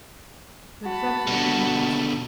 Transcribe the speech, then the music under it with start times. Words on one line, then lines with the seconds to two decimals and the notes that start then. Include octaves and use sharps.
"You're dreadfully ignorant."
0.86 F#4 A5 B5
1.27 B2 D3